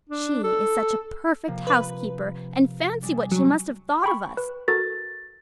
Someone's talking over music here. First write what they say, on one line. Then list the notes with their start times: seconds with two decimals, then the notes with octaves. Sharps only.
She is such a perfect housekeeper and fancy what she must have thought of us.
0.10 D4
0.44 A4
1.47 C3 F3 A#3
1.67 B4
3.03 G3 G#3 D4
3.32 F#3
4.04 G5 B5 C#6
4.37 B4
4.68 F#4 A4 A#4 A6